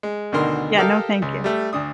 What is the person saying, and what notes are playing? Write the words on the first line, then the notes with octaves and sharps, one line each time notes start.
Yeah, no, thank you.
G#3
D2 B2 D3 D#3 A#4 C6
G4 A4 A#4 D#5 F5 G5
C#2
G3 A3
D2 D4 D#6